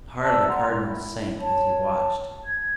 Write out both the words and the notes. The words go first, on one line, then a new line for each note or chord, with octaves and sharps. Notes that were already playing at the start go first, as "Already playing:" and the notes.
The heart of the Cardinal sank as he watched.
D5 E5 A5 E6
F#5 A#5 C6
E4
C#5 A5
G#6